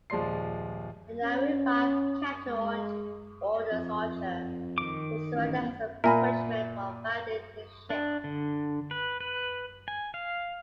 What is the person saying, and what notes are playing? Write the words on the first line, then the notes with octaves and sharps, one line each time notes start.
The now-revived captain orders Archer to surrender as punishment for violating his ship.
D#1 F3 G#3 D5 C6 C7
C#4
G#3
F2
D#3 D6
A1
A#2 A#4 E5 G#5 B5
D4
D3
B4
B4
G#5
F5